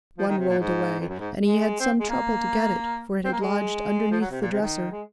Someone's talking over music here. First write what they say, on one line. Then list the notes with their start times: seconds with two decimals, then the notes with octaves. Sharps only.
One rolled away, and he had some trouble to get it, for it had lodged underneath the dresser.
0.18 F3
0.28 D#3
0.38 C3
0.49 A#2
0.59 G#2
0.99 F2
1.08 F#2
1.19 G#2
1.40 G#3
1.80 C4
2.00 G#3
2.09 A#3
3.25 C4
3.33 A#3
3.41 G#3
4.11 F3
4.21 F#3
4.31 C3
4.41 A#2
4.52 C3
4.61 D#3
4.92 G#3